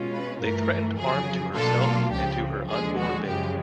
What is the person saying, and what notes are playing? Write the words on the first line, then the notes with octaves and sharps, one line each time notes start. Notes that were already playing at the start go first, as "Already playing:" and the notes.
They threatened harm to herself and to her unborn baby.
Already playing: B2 G#3 C#4 F4
B4
G2 E3 A3 A#4
F2 C#3 F#3 G#4
B2 F#3 A#3 D4 F4 A4
C#2 C#3 F3 G4
D#2 D3 F3 G#3 G#4
F#4
F#2 C#3 F3 G#3 G4